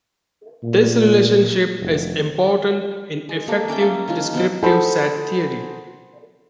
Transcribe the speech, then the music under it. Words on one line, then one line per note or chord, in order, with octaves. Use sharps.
This relationship is important in effective descriptive set theory.
A#2
F1
G#3
A#3 G4 A4
C#4 D5 E5 G5
A#3
D#3 F3 F4
B2 B3 C4 C5
G#4 A4 C5 F#5 B5